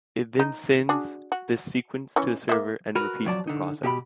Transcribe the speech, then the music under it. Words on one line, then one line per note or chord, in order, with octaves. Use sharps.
It then sends this sequence to the server, and repeats the process.
D#4
D4 F#4 G#4
F#4
E3 C#4 C#5
A#3 E5
F#4 A#4 B4
F2 F#3 D5 A5
D3 D#4
B2 G4 E5 B5